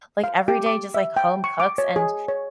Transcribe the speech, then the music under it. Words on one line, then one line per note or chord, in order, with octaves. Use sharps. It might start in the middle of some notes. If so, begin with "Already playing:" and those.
like, everyday just, like, home cooks, and
F5
G4
D6
E5
G5
C#6
D6
C#5
G#4
C#5